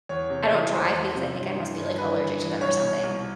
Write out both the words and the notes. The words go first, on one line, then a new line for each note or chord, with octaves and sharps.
I don’t drive because I think I must be, like, allergic to them or something.
E2 C#5
C3
E3
E2 C5
E2
C3
G2
E3
G2
E3 B4
G2
E3
C2 C#5
B2
C2